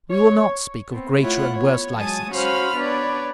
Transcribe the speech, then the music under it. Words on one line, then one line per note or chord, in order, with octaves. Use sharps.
We will not speak of greater and worse license.
C#5
B3 C4
A3 E4 F4 C#5 F#5
B3 C#5
F#3 G#3 G#5 A5 D#6
C#4 F#4 C5 F5 B5 F6
B3 D4 B4 C#5 D5